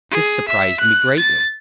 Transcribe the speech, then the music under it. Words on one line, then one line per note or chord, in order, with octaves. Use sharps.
This surprised me greatly.
G#4
E5
F#6
A6